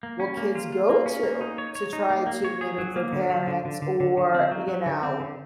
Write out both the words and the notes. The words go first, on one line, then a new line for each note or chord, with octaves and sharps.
will kids go to to try to mimic their parents or you know
A#3
C#4
A#3
F4
F4
A#3
C#4
A#3
D#4
C#5
C#5
D#4
A#3
A#3
C#5
G#4
F#3
A#3
D3
F#3
D3
D3
D3
D3
D3
C4
F#3
F#3
D3
C4
D3